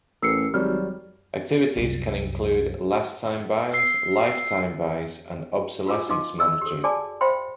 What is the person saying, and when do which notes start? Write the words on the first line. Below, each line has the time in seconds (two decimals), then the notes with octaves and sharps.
Activities can include last-time buys, life-time buys, and obsolescence monitoring.
0.22 A1 A#4 E6 C7 C#7
0.54 G#1 F#3 G3 F6
1.77 C2 F#2
3.73 E6 C7
5.87 F4 F#4 A#4 F5 G#5 D6
6.09 D#4 B4 D#5 F5 C6 D6
6.38 G4 G#4 D#5 E6
6.62 G4 A4
6.84 F#4 G#4 D5 G#5 A5 D6
7.21 C5 E5 F5 G5 B5 C6